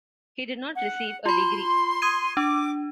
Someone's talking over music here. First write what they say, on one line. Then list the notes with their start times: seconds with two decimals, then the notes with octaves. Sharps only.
He did not receive a degree.
0.75 F#5
1.26 F4 B5 C6
2.02 D#6 G#6 D#7
2.37 D4 D6